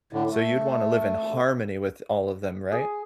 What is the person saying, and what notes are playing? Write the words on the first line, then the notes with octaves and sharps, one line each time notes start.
So, you'd wanna live in harmony with all of them, right?
A2 D3
A3
G#4